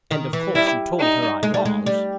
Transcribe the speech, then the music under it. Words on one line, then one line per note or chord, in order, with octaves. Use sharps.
"And of course you told her I was."
D#3
E3
G3 E4
D#4
G#3
G3
G#3
G3